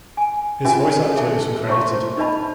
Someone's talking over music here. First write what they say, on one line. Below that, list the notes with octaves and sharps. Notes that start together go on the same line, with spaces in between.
His voice actor is uncredited.
G#5
C#4 F4 F#4 B4 E5 G#5
A4 A#4 E5 A5
C5 C#5 E5 A#5 C6 C#6
D#4 B4 D5 D#5 A5 B5